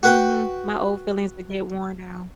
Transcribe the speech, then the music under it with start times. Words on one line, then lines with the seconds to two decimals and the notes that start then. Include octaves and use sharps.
Mhm. My old fillings are getting worn down.
0.03 F#4 B4 G5